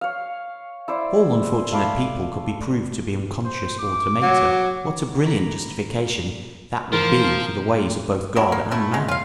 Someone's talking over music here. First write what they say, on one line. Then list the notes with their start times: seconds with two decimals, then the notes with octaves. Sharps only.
If all unfortunate people could be proved to be unconscious automata, what a brilliant justification that would be for the ways of both God and man!
0.01 C#5 F5
0.88 E4 C5 D5
1.72 A3 F5 B5 D6
3.45 C5
3.80 D6
4.22 F#3
5.25 A#5 B5 D6
6.92 E3 F3 G3 F4 A#4 C6
8.36 F#3 D4 E4
8.52 A#3
8.71 A3 E4
8.94 G#3
9.08 F4 F5